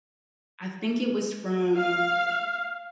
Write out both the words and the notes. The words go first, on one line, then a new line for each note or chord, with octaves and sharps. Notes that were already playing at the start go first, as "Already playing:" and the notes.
I think it was from,
F5